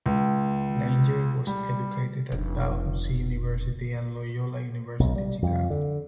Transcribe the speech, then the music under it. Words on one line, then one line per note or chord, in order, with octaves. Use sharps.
Langer was educated at Dalhousie University and Loyola University Chicago.
C#2
G3
F1 D4
B1
G3
F2
D3